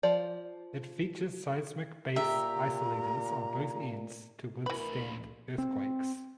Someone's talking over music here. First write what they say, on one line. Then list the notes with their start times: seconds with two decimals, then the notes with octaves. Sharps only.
It features seismic base isolators on both ends to withstand earthquakes.
0.03 F3 D5
2.16 A#2 G4 E5 A#5
4.66 D2 E3 A#4 B4 B5
5.58 C4